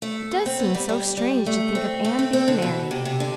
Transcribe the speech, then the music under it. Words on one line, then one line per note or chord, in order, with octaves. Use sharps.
It does seem so strange to think of Anne being married.
A3
B3
C4
B3
G3
G3
G3
A3
C4
A3
C4
C4
D3
B2
C3
C3
D3